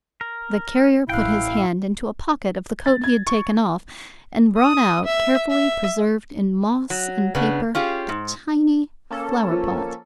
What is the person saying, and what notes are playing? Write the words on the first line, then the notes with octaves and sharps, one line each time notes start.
The Carrier put his hand into a pocket of the coat he had taken off; and brought out, carefully preserved in moss and paper, a tiny flower-pot.
A#4
A1 E4 F5 G5 F#6
A6
G#6
C#6
D#6
E5
E5
F#3
C#3 B3 D4
C#4 F4 G4 G#4
G#2
A#3 C#4 A4
F3